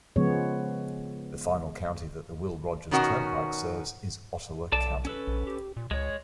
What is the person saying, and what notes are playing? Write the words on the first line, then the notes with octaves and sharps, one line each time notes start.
The final county that the Will Rogers Turnpike serves is Ottawa County.
C#3 F3 G#3 B3 C#5
B2 D#3 C#4 F#4 A#4
B1 A4 D5 A5
C#4 A4 B4
A#1
G4
A#2
C#2 G#3 C#5